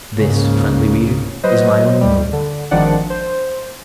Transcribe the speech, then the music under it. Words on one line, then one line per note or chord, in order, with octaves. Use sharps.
This, friendly reader, is my only motive.
C#2 G#2 C#3 A#3
F#3 B4 C5 D#5
D2 G3
D3
G#1 D#3 F3 D4 D5 F#5
C5